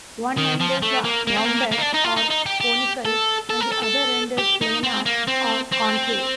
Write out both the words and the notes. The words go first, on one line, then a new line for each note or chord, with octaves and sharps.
One end is rounded or conical and the other end is planar or concave.
D#3
F3
A3
A#3
A#3
C4
A#3
A#3
D#4
D4
D#4
F4
D#4
D#4
G4
G4
A4
A4
A#4
A4
A4
G4
D#4
C4
A#3
C4
C4